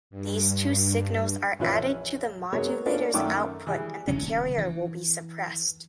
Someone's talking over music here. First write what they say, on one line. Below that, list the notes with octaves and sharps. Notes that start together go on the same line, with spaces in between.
These two signals are added to the modulator’s output and the carrier will be suppressed.
G2
A#1 E3 C#4 F4 B4 E5
F#3 G#3 A#3 B3 C#5
A#3 C#4 D4 F4 A4 D5
F#2 D#3 A3 G5 D6 E6
E3 G3 G#4
D#1 C#3 F#3 C#4
E3